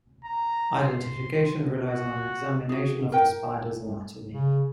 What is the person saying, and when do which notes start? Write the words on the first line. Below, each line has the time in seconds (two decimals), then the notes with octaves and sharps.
Identification relies on an examination of the spider's anatomy.
0.25 A#5
0.80 C6
1.85 F#4
2.69 F#4 G#4
3.12 A#4 G5
4.31 C#3